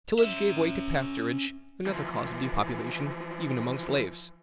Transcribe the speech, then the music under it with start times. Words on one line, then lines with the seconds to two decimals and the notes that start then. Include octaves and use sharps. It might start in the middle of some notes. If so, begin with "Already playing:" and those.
Tillage gave way to pasturage, another cause of depopulation, even among slaves.
0.19 C#4 E5
1.86 E3 F3